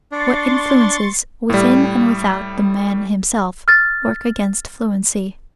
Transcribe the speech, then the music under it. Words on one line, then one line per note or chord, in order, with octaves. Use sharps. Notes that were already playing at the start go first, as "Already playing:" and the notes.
What influences, within and without the man himself, work against fluency?
D4 C6 C#6 A6
A2 G3
F6 A6